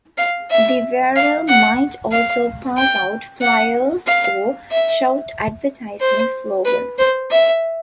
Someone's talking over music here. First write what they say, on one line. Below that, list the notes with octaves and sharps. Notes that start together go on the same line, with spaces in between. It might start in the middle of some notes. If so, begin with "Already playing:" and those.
The wearer might also pass out flyers or shout advertising slogans.
F5
E5
F5
F#5
F5
G5
F#5
F5
E5
C5
B4
C5
E5